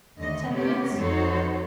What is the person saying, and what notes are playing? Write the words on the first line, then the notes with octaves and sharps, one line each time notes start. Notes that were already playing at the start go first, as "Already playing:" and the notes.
Ten minutes?
D#2 D3 A3 D#5
C3 A3 B3 C#4 G4
F2 D#4 F#4 A4 C5 C#5